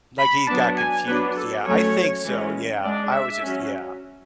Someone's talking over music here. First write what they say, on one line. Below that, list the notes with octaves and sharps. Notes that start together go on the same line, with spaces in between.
Like, he got confused, yeah, I think so, yeah. I was just yeah.
B5
F#3 B3 D4 A5
G#5
F#3 B3 D4 B4
A4
F#3 A3 C#4 C#5
E3 G#3 C#4
G#3 D4 D5
E5
F#3 C#4